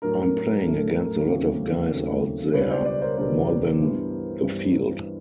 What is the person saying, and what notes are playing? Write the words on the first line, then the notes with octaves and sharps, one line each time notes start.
I'm playing against a lot of guys out there, more than the field.
A2 F#3 A3 D4 A#4
A2 F#3 A3 D4
D#2 C#3 F#3 A3 C4
D#2 C#3 F#3 A3 C4
C#2 B2 G3 B3 D4 B4 C#5
C5 D5
C5 D5
A#4 C5
C#2 B2 G3 B3 D4 A#4 C5
G2 E3 G3 B3 D4
G2 E3 G3 B3 D4